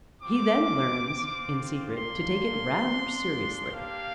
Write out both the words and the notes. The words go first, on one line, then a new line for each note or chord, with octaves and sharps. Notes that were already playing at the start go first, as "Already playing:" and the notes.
He then learns, in secret, to take it rather seriously.
C4 F4 D6
C4 F4
A#3 D4 F4 C6
G#3 D4 F4
A#3 D4 G4 F5